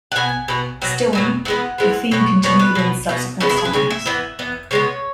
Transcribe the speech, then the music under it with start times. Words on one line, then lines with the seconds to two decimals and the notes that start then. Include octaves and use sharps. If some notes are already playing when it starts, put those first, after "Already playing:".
Stone, a theme continued in subsequent songs.
0.12 F#5
0.16 B2 B3 G#5
0.48 B2 B3
0.82 B2 F#3 B3
1.13 B2 F#3 B3
1.45 E3 G#3 B3 F#5
1.78 E3 G#3 B3
2.11 B2 B3 C#5
2.43 B2 B3 C#5
2.59 B4
2.75 B2 B3
3.09 B2 B3
3.40 C#3 G#3 B3 C#4
3.50 E4
3.57 G#4
3.65 B4
3.73 C#3 G#3 G#5
3.90 E5
4.06 E3 B3
4.39 E3 B3
4.71 C#3 G#3 B3 C#5